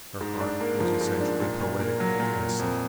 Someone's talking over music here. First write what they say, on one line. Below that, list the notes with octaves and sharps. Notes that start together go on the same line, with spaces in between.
Her heart was essentially poetic and innocent.
G#2
D4
A#3
F3
G#2
D4
A#2
A#2
A#3
F#3
A#2
A#2
F2